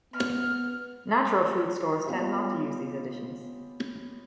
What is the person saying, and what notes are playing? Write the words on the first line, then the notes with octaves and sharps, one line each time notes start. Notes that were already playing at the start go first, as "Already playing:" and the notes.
Natural food stores tend not to use these additions.
B3 F6
A#3 B3 C#4 F4 G4 D#5